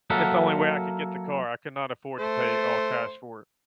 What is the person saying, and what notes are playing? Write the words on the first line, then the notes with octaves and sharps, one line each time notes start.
it's the only way I could get the car, I could not afford to pay all cash for it.
F#3 A#3 A4 A#4 E5 F#5
A3 C5